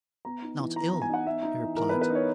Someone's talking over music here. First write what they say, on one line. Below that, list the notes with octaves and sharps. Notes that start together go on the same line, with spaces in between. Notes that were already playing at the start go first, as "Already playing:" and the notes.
"Not ill," he replied.
B3 A#5
D#4
E3
E3 A#5
A#5
B3
G#5
D#4 F#5
B3 E5
D#4
E3
E3 A#4
B4
B3
B4
D#4 C#5